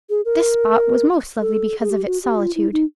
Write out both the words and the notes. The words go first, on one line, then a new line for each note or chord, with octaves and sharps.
This spot was most lovely because of its solitude.
G#4
A#4
A4
G#4
G4
F#4
G4
F#4
F4
E4
D#4